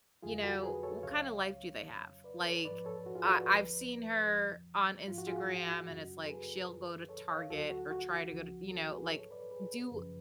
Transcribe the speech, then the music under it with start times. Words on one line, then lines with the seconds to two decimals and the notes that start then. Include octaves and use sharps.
you know, what kind of life do they have? Like, I I've seen her on Instagram, and it's like she'll go to Target or try to go to you know, like, do
0.22 F2 D3 F#3 F4 G#4
0.43 F#4 A4
0.63 G#4 B4
0.83 A4 C#5
1.03 C#2 C#3 F#3 C#5 F5
1.85 F2 C#3 F#3
2.24 B4 D5
2.44 A4 C#5
2.65 G#2 F3 B4 D5
2.85 A4 C#5
3.06 F#4
3.15 F4 G#4
3.25 F#4 A4
3.35 B4 D5
3.46 D2 D3 F3
4.27 F2 C#3 F3
5.07 G#2 F3 F4
5.18 F#4
5.27 F4 G#4
5.38 F#4
5.88 F#2 C#3 F#3
6.24 A4
6.29 G#4 B4
6.69 F#2 D3 F3
7.09 A4 C#5
7.29 C#5 F5
7.50 D2 D3 F#3 F#4 A4
7.70 F#4
7.91 F#4
8.30 C#2 C#3 F3
8.70 F#4 A4
8.91 G#4 B4
9.11 G#2 F#3 A4 C#5
9.31 B4 D5
9.51 G#4 B4
9.92 F#2 C#3 F3